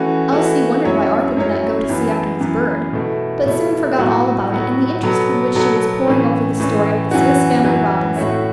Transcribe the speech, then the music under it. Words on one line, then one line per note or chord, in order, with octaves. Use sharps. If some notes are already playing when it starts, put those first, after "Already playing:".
Elsie wondered why Arthur did not go to see after his bird, but soon forgot all about it in the interest with which she was poring over the story of the "Swiss Family Robinson."
Already playing: E3 A3 C#4 F#4
E3 A3 C#4 F#4
F#2 F#3 C#4 E4 C#5
F#2 F#3 C#4 E4 C#5
F#2 E3 B3
F#2 E3 B3
B2 A3 E4
B2 A3 E4
A2 F#3 B3 F#4
A2 F#3 B3 F#4
B2 F#3 B3 A4
B2 F#3 B3 A4
A2 E3 C#4
A2 E3 C#4
F#2 E3 C#4 F#4
F#2 E3 C#4 F#4
A2 A3 F#4 C#5 E5